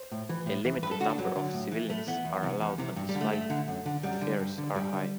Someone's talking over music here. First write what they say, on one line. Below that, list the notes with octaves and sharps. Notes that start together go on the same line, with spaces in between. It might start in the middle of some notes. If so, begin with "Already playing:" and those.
A limited number of civilians are allowed on this flight but fares are high.
Already playing: C5
A2
E3
A2
E3
G2 B4
A4
D3 F#4
D4
G2 F#3
D3
A2
E3
A2 A3
E3 B3
E2
C3 E3
E2
C3 E3
G2
G3
D3
A3
G2 A3
D3
F#2
D3
F#2 G3
D3
G2
D3
G2 G3
D3